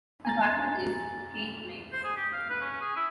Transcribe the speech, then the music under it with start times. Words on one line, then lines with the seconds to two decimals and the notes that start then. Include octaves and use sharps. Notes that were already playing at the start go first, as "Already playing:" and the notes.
Her partner is Keith Miles.
0.25 G#5 A#5 A6
1.92 C5
2.04 G#4
2.16 G4
2.33 F5
2.49 B4
2.61 C#4
2.81 G#4
2.96 E4